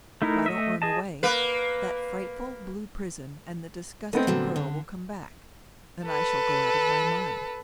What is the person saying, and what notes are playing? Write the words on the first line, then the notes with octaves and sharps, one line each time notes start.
If I don't run away, that frightful blue prison and the disgusting girl will come back, and I shall go out of my mind.
A3 D#4 E4 A#4
A3 D#5 E5
G#4 D#5 A5
A#3 B4
A3 B3 C4 D#5
A#2 D3 F#3
D3
A4 B4